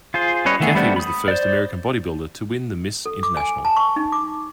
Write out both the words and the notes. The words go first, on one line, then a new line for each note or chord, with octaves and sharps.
Cathey was the first American bodybuilder to win the Ms. International.
F4 G#4 C5
G3 C#4 B4 C#5 D#5
D#3 E3 A3 B3 G#4
G3 A3 B3 C4 D4
B5 D#6
C5 D5
A4
D6
G#5
A5
C#6
D#4
D6